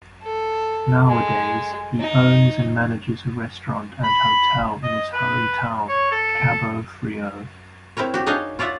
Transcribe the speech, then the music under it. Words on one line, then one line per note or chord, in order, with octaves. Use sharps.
Nowadays he owns and manages a restaurant and hotel in his hometown Cabo Frio.
A4
G#3
D#4
B5
D#5
B4
C#5
A4
C4 E4 A#4 C#5
F#4 G4
D4 D#4 C#5 D#5 F5 G#5
F4 C#5 D5 E5 F#5